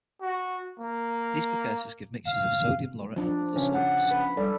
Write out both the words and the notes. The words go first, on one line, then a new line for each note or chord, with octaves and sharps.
These precursors give mixtures of sodium laurate and other soaps.
F#4
A#3
F5
F3 D4
C#3 C#4
F#5
B4
G3 A4 D5